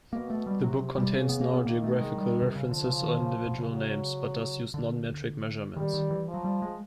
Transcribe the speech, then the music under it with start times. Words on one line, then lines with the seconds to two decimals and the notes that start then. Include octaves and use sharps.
The book contains no geographical references or individual names, but does use non-metric measurements.
0.13 B2 A#3
0.30 A3
0.46 G3
0.63 C3 F#3
0.98 G3
1.14 C#3
1.29 B3
1.41 A#3
1.54 B3
1.66 D#3 A#3
1.84 A3
2.01 G#3
2.17 G3
2.42 C3
2.56 C#3
2.69 D3 F3
2.86 C#3
3.03 D#3
3.20 C#3
3.46 B2
3.59 C#3
3.71 F#3
4.74 D3
5.76 D#3 G3
5.94 D#3
6.11 E3
6.28 F3
6.34 F#3
6.44 G3
6.62 G#3